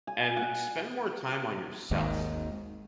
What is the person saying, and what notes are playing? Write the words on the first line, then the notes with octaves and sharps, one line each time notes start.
and spend more time on yourself.
G#5
F#5
G#1 D#2 G#2 D#3